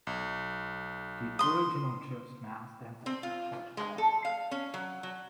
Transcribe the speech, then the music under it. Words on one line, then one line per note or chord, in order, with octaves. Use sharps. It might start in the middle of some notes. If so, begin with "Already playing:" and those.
The original church now stands as the church hall.
B1
C6 D#6
C4
F4
G#3
A4
F5
C#4
F#3
F#3